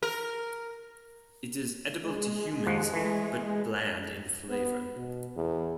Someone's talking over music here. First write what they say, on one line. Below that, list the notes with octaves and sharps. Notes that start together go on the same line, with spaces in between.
It is edible to humans, but bland in flavour.
A#4
G#3
D#2 F3 F#5
E3 A3
B3
B2
E2